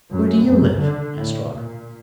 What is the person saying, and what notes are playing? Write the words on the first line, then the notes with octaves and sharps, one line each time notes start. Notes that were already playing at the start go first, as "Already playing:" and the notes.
"Where do you live?" asked Robin.
F#2
F#2
D3
A2
A#2